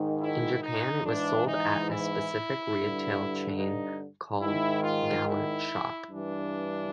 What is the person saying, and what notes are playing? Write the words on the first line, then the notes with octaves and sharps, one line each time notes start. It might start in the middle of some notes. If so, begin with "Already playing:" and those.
In Japan, it was sold at a specific retail chain called "Galant Shop".
Already playing: G#2 D#3
E4
D#4
G#2 E3 D4
D#4
E4
G2 D3
D#4
G#2 D#3 E4
F4
E4
G2 E3 D4